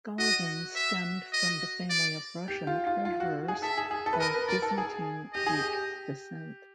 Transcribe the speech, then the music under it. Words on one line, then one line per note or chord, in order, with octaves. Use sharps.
Golovin stemmed from the family of Russian treasurers of Byzantine Greek descent.
F#4 D#5
E5
D#5
D5
G4
F4
F4
F4
F#4
G#4
A4 E5
G#4
G#4
A4
B4
A#4 D#5
B4
A#4 D5
A4
G#4
G4 D#5
G#4
G4